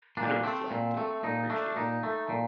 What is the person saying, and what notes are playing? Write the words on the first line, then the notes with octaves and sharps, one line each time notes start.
kind of reflect and appreciate.
A#2 D4
A3 C4
A#2
A3
A#2 D#4
A3 D4
A#2 D#4
A3
A#2